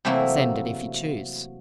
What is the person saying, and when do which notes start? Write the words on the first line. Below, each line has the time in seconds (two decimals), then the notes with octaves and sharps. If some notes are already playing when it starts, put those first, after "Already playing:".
Send it, if you choose!
0.05 C3 E3 F#3 A3 A#3 E4